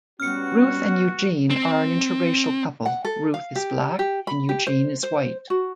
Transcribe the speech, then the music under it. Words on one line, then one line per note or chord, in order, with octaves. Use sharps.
Ruth and Eugene are an interracial couple; Ruth is black and Eugene is white.
G3 B3 C#4 F#4 F6 C#7
C4
F#5
A4
F5
G4
G4
B5
G4
C5
C5
F#4